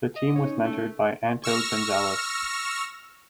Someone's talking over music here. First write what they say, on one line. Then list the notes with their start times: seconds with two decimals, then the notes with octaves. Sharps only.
The team was mentored by Anto Gonzales.
0.16 D#5
0.36 C#4 D#4 C#5
0.65 A3
1.44 C#6 E6 F6 A#6